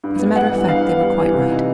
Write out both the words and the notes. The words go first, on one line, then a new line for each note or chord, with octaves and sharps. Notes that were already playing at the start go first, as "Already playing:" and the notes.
As a matter of fact they were quite right.
G2
B3
G3 F#5
E3
G2 F5
B3
G3
E3
C3
D#4